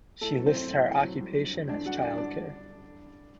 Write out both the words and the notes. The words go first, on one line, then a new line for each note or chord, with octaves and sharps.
She lists her occupation as child care.
A2 A3 A4
F#3
C4 C5
F#3
A2
A2
F#3
G3
D3
E2
E2 D4 D5
G3 F#4 F#5
D3 D4 D5
G3 D4 D5